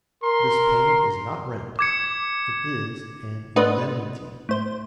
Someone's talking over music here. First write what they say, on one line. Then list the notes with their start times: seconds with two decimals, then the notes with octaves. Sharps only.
This payment is not rent, it is an indemnity.
0.23 A#4 C6
1.79 D6 G#6 C#7
3.56 A3 B3 D4 B4 C5 D#5
4.49 A2 C5